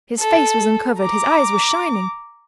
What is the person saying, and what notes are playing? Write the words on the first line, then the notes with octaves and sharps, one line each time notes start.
His face was uncovered, his eyes were shining.
A4
A#5 D6